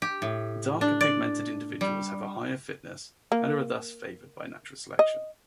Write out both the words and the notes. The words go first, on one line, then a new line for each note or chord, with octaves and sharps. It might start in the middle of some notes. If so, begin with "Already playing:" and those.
Darker pigmented individuals have a higher fitness and are thus favored by natural selection.
G4
A2
D4
D5
G3
A#3
D#5